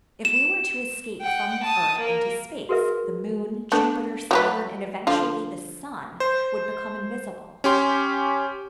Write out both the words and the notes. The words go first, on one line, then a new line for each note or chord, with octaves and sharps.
If we were to escape from the earth into space, the moon, Jupiter, Saturn, and eventually the sun would become invisible.
E7
F#5 G5
A5 D#6
A#3 A#4
F#4 G#4 A#4 B4 E5
A3 B3 D4
F#3 G4 B4
D3 F3 F4
C5
C#4 G4 C6